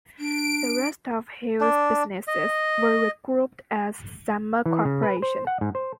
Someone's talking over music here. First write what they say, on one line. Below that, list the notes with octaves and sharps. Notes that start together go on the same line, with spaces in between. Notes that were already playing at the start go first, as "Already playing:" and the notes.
The rest of Hughes' businesses were regrouped as Summa Corporation.
D4 D7
D4
D#5
E3
C#3
B4
C5
F#5
G#2
C5